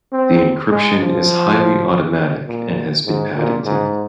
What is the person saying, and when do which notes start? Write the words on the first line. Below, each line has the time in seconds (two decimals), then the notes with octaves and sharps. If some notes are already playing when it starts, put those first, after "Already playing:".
The encryption is highly automatic and has been patented.
0.12 C4
0.71 G#3
1.00 F3
2.47 A#2
3.06 G#2
3.35 A#2
3.66 G#2